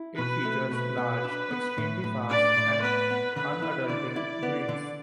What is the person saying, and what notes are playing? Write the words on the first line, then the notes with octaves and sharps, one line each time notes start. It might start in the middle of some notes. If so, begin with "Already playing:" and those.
It features large, extremely fast, and undulating greens.
Already playing: E4
B2 B4
A3
B2 B4
B2
D4
B3
A2
A2
D4 D5
A2
B3 B4
B3
D3 B4
E4
D3 D5
E4
B3
D3